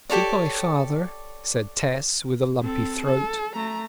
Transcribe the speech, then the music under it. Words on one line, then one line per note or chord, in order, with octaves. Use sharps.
"Goodbye, father," said Tess, with a lumpy throat.
G4 A4 C#5 D5
C4 A4
A4
A3 A#5